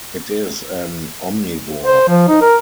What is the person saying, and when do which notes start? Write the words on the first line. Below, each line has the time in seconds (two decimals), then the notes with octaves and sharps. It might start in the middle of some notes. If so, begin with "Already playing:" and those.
It is an omnivore.
1.84 C5
2.08 F3
2.28 D#4
2.41 A#4